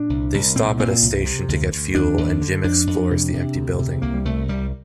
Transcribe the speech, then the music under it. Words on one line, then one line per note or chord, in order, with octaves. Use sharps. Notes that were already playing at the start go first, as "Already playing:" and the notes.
They stop at a station to get fuel and Jim explores the empty building.
Already playing: A#2 D4
C2
C2
A#2 C4
A#2 C4
C2
C3
D2
D2
D#2 D4
D#2
D3
F2 D4
F2
C3
C3
D2
C3
C2 A#3
G3
C2 A3
C2 G3